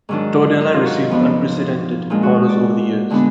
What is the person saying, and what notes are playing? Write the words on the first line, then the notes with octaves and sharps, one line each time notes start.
Tordella received unprecedented honors over the years.
G#2 D#3 F#3 D4
D#4
F4
F#4
F2 F3 B3 D4
A#2 G#3 D4 F4
F#4
D5
D3 G#3 B3 D4